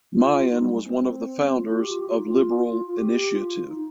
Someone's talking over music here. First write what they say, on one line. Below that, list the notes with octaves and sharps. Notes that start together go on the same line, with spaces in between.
Mayan was one of the founders of Liberal Initiative.
F4
D#4
G3
G#3
C4
F4
F4
G4
F4
G4
F4
D#4
F4
F4
G4
F4
D#4